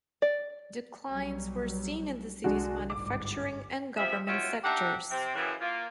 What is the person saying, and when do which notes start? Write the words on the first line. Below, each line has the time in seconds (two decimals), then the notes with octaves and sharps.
Declines were seen in the city's manufacturing and government sectors.
0.22 D5
1.07 B1 F#3 G3
2.44 C2 D3 G#3 D4 F#4
2.90 G1 G#2 G3 D6
3.97 C3 F3 E5
4.28 D#2 B2 F4 F#4 C#5 E5
4.64 D4 D#4 G4 E5 F#5
5.11 C3 C4
5.35 F#2 C#3 E3
5.61 A#3 F4